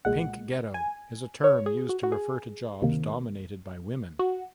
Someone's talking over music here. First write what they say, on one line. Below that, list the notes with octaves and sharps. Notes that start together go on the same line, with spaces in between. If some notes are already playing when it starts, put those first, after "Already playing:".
Pink ghetto is a term used to refer to jobs dominated by women.
C2 A#2 G#3 F#5
G#5
C#5
G#4
F#4
F#4
G#4
C#2 C3 D#3 A#3
F#4